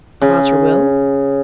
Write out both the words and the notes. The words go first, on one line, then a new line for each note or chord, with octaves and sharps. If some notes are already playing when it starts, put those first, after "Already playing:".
"About your will?"
C#3